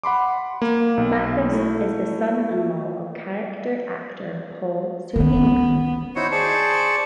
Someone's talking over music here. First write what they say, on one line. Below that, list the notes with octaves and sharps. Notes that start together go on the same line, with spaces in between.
Backus is the son-in-law of character actor Paul Sorvino.
F#5 B5 C6 D6
A#3
B1
A3 E4
D#3 B3 C#4
D#4 E4 F#4 C5 C#5 F#5
G#4 C5 D5 A5 C#6